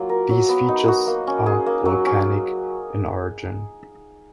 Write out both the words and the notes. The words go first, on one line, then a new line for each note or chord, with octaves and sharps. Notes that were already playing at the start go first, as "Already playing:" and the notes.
These features are volcanic in origin.
Already playing: F#3 A#3 F4
A#4
F#3
B3
D#4
F#4
A#3
C#4
G#4
A#3
F#3
C#4